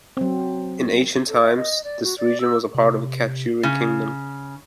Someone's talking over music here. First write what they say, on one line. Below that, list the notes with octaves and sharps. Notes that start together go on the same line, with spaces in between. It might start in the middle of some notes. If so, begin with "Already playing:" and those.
In ancient times, this region was a part of the "Katyuri" kingdom.
F#3 C4
A4
E5
D#5
D5
F#4
D5
E6
C3
C#3